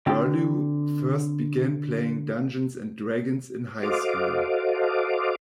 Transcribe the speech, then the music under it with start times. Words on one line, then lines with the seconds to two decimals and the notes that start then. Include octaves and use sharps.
Burlew first began playing "Dungeons and Dragons" in high school.
0.07 D3 C4 F#4 G5 A5
3.83 F#4 A4 C5 D#5 F5 D6